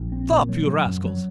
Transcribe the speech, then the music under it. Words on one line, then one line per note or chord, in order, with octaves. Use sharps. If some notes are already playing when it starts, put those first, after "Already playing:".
"Stop, you rascals!"
Already playing: A#1
C4
A#2
F#3
F#3
F#2
F#3